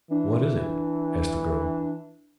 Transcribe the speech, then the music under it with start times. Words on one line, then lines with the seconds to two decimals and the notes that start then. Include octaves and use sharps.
"What is it?" asked the girl.
0.11 E3 D4